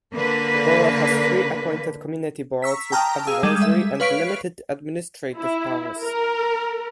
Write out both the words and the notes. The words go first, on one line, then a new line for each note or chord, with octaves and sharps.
The Borough has three appointed Community Boards with advisory and limited administrative powers.
D3 A#3 B4
A#5 C#6 E6 B6
G5 A5 A#5 D#6 F6
G#4 F5 E6
G3 G#3 A4 D#7
E5
B4 C#5 F5 C#6 B6 D7
E4
A#4